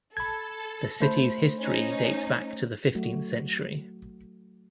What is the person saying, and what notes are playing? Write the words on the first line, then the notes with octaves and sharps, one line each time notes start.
The city's history dates back to the fifteenth century.
A4 B5 G#6
A3 C5 B5
C#4 D#4
F#3 A3 F#4